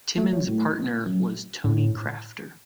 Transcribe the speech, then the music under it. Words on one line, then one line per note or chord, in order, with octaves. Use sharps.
Timmins' partner was Tony Crafter.
A3
F#3
A2
F#2
A2